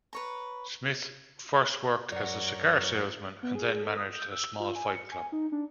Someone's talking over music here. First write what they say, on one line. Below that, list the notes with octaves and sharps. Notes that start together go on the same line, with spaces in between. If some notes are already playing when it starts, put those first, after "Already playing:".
Smith first worked as a cigar salesman, and then managed a small fight club.
B4 C#5 A#5
F#2 A#4 C#5 D5 F#5
B3
G#4
A4
D#6
G6
E6
F4
G#5
C#7
G#5
D#4
D4